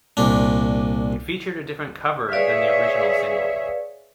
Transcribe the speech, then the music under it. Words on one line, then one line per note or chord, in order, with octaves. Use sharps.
It featured a different cover, than the original single.
C2 A#2 D4
G#4 B4 C#5 D5 E5 F5